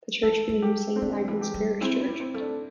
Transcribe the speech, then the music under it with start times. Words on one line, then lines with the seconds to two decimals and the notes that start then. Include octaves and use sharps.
The church became Saint Agnes Parish Church.
0.23 E3 A4
0.49 G3
0.62 G4
0.96 C4
1.01 D3 D4
1.28 E3
1.41 G4
1.54 G3
1.81 C4 E4
2.00 E4
2.08 G3
2.20 C4
2.34 A3
2.40 D4